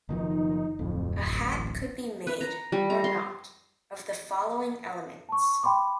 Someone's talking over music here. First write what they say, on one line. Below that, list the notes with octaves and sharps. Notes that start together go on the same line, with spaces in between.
A hat could be made, or not, of the following elements.
F#1 D#3 F3 D#4
D1 F2
A1
B4
A#5
G3
A#5
C6
A5 C#6
G5 B5 C6 D6